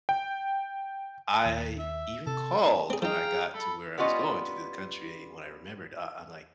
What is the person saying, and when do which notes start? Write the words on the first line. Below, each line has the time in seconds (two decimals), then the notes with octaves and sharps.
I even called when I got to where I was going to the country. When I remembered, uh, I'm, like,
0.09 G5
1.45 D#2
1.79 E5
2.26 C3 A4
2.90 C4 G#4
3.02 F3 D#4 G#4 F5 G5 A#5
3.54 A4 B5
3.98 G3 B3 C#4 F4 D#5